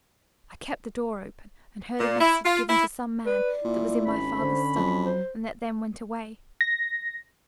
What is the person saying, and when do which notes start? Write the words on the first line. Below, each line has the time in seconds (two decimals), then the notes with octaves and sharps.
I kept the door open, and heard a message given to some man that was in my father's study, and that then went away.
2.00 A#2
2.21 E4
2.45 F4
2.69 E4
3.26 B4 D5
3.64 A#2 E4
4.06 G#1 C#4 B5
4.39 D3 C5
4.75 F2 F#3
5.06 C5
6.61 A#6